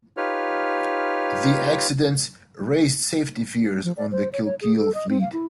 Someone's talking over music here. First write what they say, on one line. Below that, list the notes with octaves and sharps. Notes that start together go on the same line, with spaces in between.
The accidents raised safety fears on the Kilkeel fleet.
D#4 F4 G4 B4 C#5 F6
F3
D5
C5
C#5
C#5
G#4
A4
D#5
C4
F5
E4